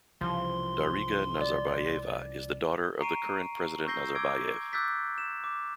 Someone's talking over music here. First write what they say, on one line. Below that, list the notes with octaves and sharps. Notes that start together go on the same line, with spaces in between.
Dariga Nazarbayeva is the daughter of the current President Nazarbayev.
C2 C#3 E3 F3 C6
D5
A#5 C#6 C7 D7 D#7
C#6 E6 G6 A#6 C7 G7
D6 E6 G#6 D7
D6 E6 F#6 G6 A6 B6
E7
D6